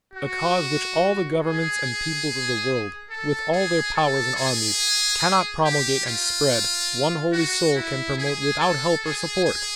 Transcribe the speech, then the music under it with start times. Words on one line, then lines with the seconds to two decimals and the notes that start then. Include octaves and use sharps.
A Cause which all the governments and peoples of the world, with all their powers and armies, cannot promulgate and spread, one Holy Soul can promote without help or support!
0.14 F#4
1.40 G#4
3.10 A4
3.52 G#4
3.95 A4
4.37 G#4
5.65 G4
6.06 F4
7.33 F#4
7.76 E4
8.18 G#4
8.60 A4
9.04 G#4
9.45 G#4